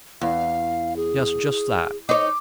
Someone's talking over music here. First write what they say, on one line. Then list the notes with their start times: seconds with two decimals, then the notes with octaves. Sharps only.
Yes, just that.
0.21 E2 F5
0.96 G#4
2.09 D#4 C#5 D6